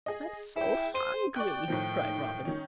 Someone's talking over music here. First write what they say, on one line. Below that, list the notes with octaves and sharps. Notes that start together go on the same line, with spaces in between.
"I'm so hungry," cried Robin.
G#4 D#5
E4 G#4 G5
C5 C6 D#7
D5 G5 C#6 F#6
A2 D#3 F3
D#3 C#4